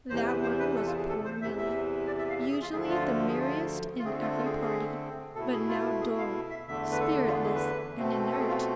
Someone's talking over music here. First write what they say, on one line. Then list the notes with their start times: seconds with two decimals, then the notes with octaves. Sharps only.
That one was poor Milly, usually the merriest in every party, but now dull, spiritless, and inert.
0.10 E2 C3 E3 C5
0.27 B4
0.42 C5
0.59 B4
0.76 A4
0.86 F4
0.97 G#4
1.09 A4
1.25 C5
1.42 E2 C3 E3 E5
1.58 E5
2.07 D5
2.19 E5
2.29 F5
2.40 E5
2.51 G#4
2.61 F4
2.72 D2 D3 F3 A3 G#4
2.89 F4
3.29 G#4
3.38 F4
3.99 F4
4.04 D3 A3 C4 G#4
4.21 F4
4.37 F4
4.45 G#4
4.61 G#4
5.35 B2 A3 E4 A4
5.52 G#4
5.68 F4
6.01 G#4
6.18 F5
6.50 E5
6.67 E2 D3 A3 E5
6.92 B4
7.00 A4
7.28 F4
7.33 G#4
7.44 G#4
7.55 B4
7.98 B2 A3 C4
8.31 A4
8.39 G#4
8.49 F4